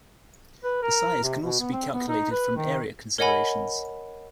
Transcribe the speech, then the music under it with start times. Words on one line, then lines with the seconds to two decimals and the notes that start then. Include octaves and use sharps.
The size can also be calculated from area considerations.
0.64 B4
0.82 A#4
1.23 C3
1.43 B2
1.59 B3
1.72 C4
1.92 B3
2.08 D#4
2.31 B4
2.56 D#3
3.18 A#4 C#5 D#5 F#5 G#5 B5